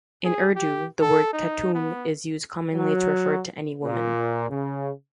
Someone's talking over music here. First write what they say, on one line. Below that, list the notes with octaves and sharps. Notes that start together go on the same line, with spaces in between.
In Urdu, the word "khatun" is used commonly to refer to any woman.
G#4
G4
A4
D#4
B3
F#3
A#2
C#3